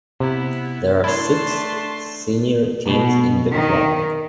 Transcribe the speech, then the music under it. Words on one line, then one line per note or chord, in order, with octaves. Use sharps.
There are six senior teams in the club.
C3 B3 E4
A3 D4 E4 C#5 A5 C6
B2
D#3